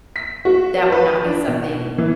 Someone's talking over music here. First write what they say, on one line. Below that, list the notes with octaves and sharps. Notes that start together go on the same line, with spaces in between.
that would not be something
B6
F#4
B4
D4
B2
E3